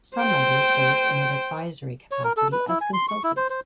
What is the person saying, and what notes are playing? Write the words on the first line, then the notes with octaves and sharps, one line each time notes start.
Some members served in an advisory capacity as consultants.
C5 G5
C#5
A#4
A4
B4
E4
G#5
C6
C#6
E4
C5
C5